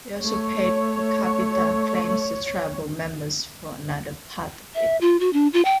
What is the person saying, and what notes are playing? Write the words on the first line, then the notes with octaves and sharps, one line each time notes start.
They also paid per capita claims to tribal members for another part of it.
A3 C#5
E5
F4
F#4
D4
F4
G5